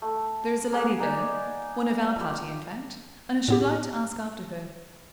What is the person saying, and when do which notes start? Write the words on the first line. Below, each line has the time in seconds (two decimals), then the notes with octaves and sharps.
There is a lady there,--one of our party, in fact,--and I should like to ask after her.
0.02 A3
0.72 A#3 B3 G#4 F#5
1.00 D#4 D5 G#5 D#6
2.16 F4 G4
3.48 A2 B3 G4